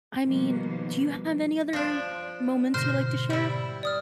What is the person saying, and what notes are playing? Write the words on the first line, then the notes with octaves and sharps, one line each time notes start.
I mean, do you have any other moments you'd like to share?
B2 D#3 F3 G3 A#3 B3
F3 D4
G#2 B2 D3 C5 F6 A#6
G3 E4
D5 D#6 F6